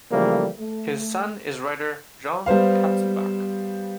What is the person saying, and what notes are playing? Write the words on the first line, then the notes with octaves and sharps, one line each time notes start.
His son is writer John Katzenbach.
C#3 E3 F3 G3 A3 A#3
A3
G3 B3 C5 F5